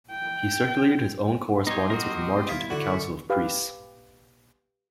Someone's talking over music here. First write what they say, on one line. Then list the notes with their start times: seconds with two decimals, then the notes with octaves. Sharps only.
He circulated his own correspondence with Martin to the Council of Priests.
0.11 G5
1.67 B2 G3 D#4 G4 C#5 D#5 C6
1.90 F#4 A#4
2.49 E4 F4
2.70 D3 F#4 C#6
3.30 G4 B4 F5